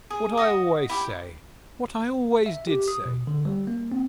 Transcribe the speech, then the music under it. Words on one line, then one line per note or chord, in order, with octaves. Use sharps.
'What I always say; what I always did say!
G#4
F#4 D#5 D#6
E4 G4
E5
G4
D#6
B2
D3
G3
A#3
C4